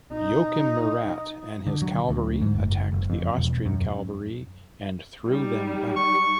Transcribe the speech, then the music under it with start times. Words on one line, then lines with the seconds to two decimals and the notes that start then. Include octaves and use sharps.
Joachim Murat and his cavalry attacked the Austrian cavalry and threw them back.
0.13 D#4
1.67 D3
1.82 F#3
2.09 D2
2.42 G#2
2.55 F#1
2.93 F#1
3.10 F2
3.38 E1
3.66 F#2
5.27 G3 D#4
5.96 C#6